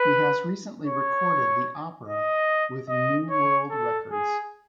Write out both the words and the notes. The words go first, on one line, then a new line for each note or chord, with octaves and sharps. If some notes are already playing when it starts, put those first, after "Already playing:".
He has recently recorded the opera with new world records.
Already playing: B4
C#5
D#5
D#5
C#5
A4
G#4